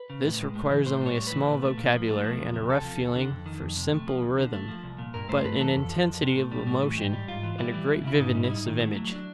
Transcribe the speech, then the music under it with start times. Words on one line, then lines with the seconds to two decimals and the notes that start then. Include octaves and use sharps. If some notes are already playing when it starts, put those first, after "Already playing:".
This requires only a small vocabulary and a rough feeling for simple rhythm, but an intensity of emotion and a great vividness of image.
Already playing: B4
0.10 C#3
0.24 A2
0.40 G#3
0.55 A2
0.71 E3
0.86 A2 C5
1.01 G3 C#5
1.17 A2
1.27 E3 B4
1.47 A#2
1.63 A3
1.78 A#2
1.93 F3
2.08 A3
2.24 F3
2.39 E2
2.54 C3
2.69 D2 A4
2.85 F3
3.00 D2
3.15 D3
3.30 F2
3.46 D#3
3.61 F2
3.77 C3
3.92 A3
4.07 F3
4.22 D2
4.38 D3
4.53 A3
4.68 F3
4.84 C2
4.98 A#2
5.14 G2 A#4
5.29 A3 C5
5.44 G2 B4
5.60 E3 A4
5.75 F2
5.91 F3
6.06 F2
6.21 C3
6.36 A2
6.52 G3
6.67 A2
6.83 E3
6.97 G#2 G4
7.13 G3
7.28 G#2 F4
7.43 E3
7.58 G3 E4
7.74 E3
7.89 C#2
8.04 C#3 E4
8.19 G#2 D#4
8.35 G3
8.44 E4
8.50 G#2 D#4
8.66 D#3
8.81 A3 E4
8.96 F#3
9.12 D4